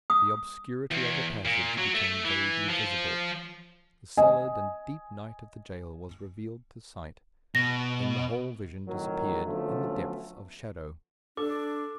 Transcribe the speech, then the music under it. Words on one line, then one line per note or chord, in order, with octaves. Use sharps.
The obscurity of the passage became vaguely visible. The solid and deep night of the jail was revealed to sight; then the whole vision disappeared in the depths of shadow.
D#6
E2
A#2
F#3
A3
E3
F3
D#5 G#5
B2 A#6
F2 A2 D#3 F#3 A#4
D3 F3 F#3 A3 B3 C#4
D4 A4 D6